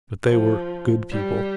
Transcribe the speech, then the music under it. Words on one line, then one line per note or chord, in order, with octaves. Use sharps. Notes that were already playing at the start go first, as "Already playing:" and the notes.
But they were "good people".
F3
G3